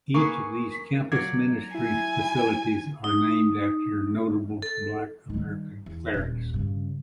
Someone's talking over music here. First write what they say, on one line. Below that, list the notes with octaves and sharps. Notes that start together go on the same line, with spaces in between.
Each of these campus ministry facilities are named after notable Black American clerics.
A#3 G#4 B4 C#6
F#3 D5 F5 G#6
E4 G#5
D#4
A4
D#3 G3
E2
D#1 D#2
G2 C#3